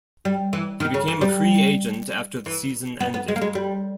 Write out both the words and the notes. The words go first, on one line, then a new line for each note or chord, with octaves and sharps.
He became a free agent after the season ended.
G3
E3
D#3
C#3
E3
G3
E3
B3
B3
G#3
A#3
G#3
G3